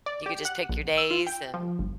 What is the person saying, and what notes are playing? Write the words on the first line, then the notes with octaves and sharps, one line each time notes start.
you could just pick your days and
D5
G4
F#5
A#1
E6
F4
G5
F3
G1